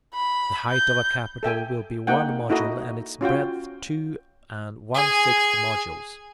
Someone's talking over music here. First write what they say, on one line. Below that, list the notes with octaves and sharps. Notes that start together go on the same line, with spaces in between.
The height of a capital will be one module, and its breadth two and one sixth modules.
B5
G6
A4 E5 G5 G#5
A#3 D#4 F#5 G5
D#4 E4 F#4 A4 D#5
C#4 F4 F#4 G5
G#4 G#5